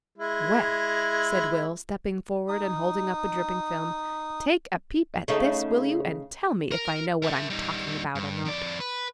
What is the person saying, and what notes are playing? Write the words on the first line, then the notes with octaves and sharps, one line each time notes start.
"Well," said Will, stepping forward and holding up a dripping film, "take a peep at this, will you, and tell me if I know what I'm talking about or not!"
G#3 E4
D#4 D#6
C#3 A3 D#4
A#4
A#4 E5
G3 D#4
G2
F2 D5
B4